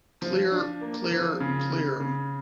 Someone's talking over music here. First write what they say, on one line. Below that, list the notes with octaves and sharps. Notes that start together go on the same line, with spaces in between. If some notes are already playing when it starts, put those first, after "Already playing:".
Clear, clear, clear.
F3
D4
A#3
F3
C#3
C#3
C#3